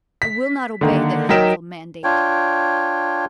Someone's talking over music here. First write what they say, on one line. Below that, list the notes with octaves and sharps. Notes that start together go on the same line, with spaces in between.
I will not obey the hateful mandate!
B6
D3 D#3 A#3
F#3 D#4 A#4 G5 B6 E7
D4 F4 C#5 G5